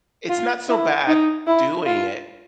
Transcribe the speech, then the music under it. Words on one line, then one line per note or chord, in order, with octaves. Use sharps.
it's not so bad doing it,
F4
E4
D#4
E4
F4